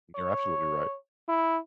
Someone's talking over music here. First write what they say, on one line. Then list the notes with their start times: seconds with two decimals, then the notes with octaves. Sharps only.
You're absolutely right.
0.15 C#5
1.29 E4